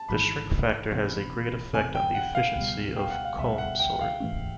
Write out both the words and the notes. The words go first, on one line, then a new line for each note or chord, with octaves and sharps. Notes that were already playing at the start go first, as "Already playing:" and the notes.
The shrink factor has a great effect on the efficiency of comb sort.
Already playing: A5
G#1 G#2 E3 B5
E1 E2 C3
E1 E2 C3 G#5
G5
F#5
F5
C#2 B2 G3
G5
F#5
F5
C#2 B2 G3 E5
F#5
G5
F5
G#2 E3 A3 C#4